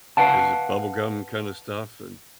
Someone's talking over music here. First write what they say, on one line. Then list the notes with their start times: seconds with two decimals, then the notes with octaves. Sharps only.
Is it bubblegum kind of stuff? And
0.17 B4 F5 F#5 A5